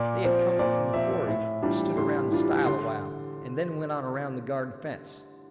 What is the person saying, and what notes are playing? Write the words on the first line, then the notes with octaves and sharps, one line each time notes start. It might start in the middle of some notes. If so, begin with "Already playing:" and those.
They had come up from the quarry and stood around the stile a while, and then went on around the garden fence.
Already playing: A#2 D5
F3 C4 C5
A#2 D5
F3 C4 E5
E5
A2 E5
E3 G3 D4 F4
A2 C6
E3 G3 D4 F4
D3 C6